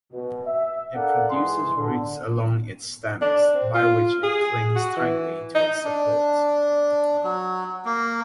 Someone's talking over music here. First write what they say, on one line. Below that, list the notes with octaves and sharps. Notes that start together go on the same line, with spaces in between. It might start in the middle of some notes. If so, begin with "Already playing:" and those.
It produces roots along its stems by which it clings tightly to its support.
B2
E5
D4 A4 A#4 D5 F5 F#5
G#2 E3 G#4 C6
D3
D4
C4
F4
G#4
F#4
E3
D#4
D4
F#3
A#3